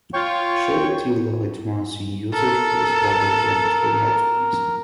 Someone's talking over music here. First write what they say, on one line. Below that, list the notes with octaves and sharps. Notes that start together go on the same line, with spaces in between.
Sharity-Light runs in user space rather than kernel space.
F4 C#5 G5 C#6
A4 A#4